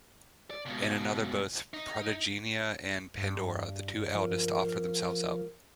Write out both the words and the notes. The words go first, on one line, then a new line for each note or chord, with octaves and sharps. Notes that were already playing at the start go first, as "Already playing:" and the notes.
In another both Protogeneia and Pandora, the two eldest, offer themselves up.
D5
C#2 B2
D#4
G2
F3 A#4